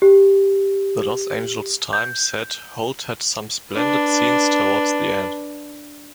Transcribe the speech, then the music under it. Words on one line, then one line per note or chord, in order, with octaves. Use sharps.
The "Los Angeles Times" said Holt had "some splendid scenes towards the end".
G4
G6
D4 B4